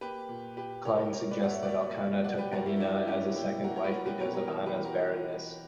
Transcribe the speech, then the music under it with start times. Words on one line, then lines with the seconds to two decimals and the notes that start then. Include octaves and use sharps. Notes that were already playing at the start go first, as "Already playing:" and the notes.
Klein suggests that Elkanah took Peninnah as a second wife because of Hannah's barrenness.
0.01 A#3 G4 B4
0.29 A#2
0.57 A#2 G4 B4
0.85 A#3 A#4 C#5
1.13 A#3 A#4 C#5
1.31 B4 D5
1.41 G2 F#5
1.50 C#5 E5
1.62 D5
1.68 A#3 C#5 E5
1.97 F#3
2.24 F#3 D5 F#5
2.38 G4 B4
2.52 G2 F#4 A#4
2.66 E4 G4
2.76 E4
2.80 F#3 D4
3.08 F#3 C#4 E4
3.36 A#3 E4 G4
3.64 A#3 F#4 A#4
3.76 C#5
3.84 B4
3.91 G3 F#4 A#4
4.06 G4 B4
4.19 B2 A#4 C#5
4.33 A#4 C#5
4.48 E3 A#4 C#5
4.66 G4 B4
4.75 E3
4.85 F#4 A#4